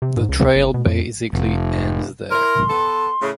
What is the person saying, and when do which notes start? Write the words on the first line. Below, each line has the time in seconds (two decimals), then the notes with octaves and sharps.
The trail basically ends there.
0.02 C3
0.17 G#2
0.29 C#2
0.55 G1
0.74 B2
0.86 F2
1.33 F1
2.31 E4 A#4 C6
2.69 B3 A4
3.21 A2 C#3